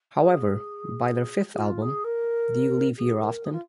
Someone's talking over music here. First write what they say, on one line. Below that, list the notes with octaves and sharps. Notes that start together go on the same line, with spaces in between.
However, by their fifth album, Do You Leave Here Often?
G#4
G#4
F4
G#4
A#4
G#4
A#4
G#4
F4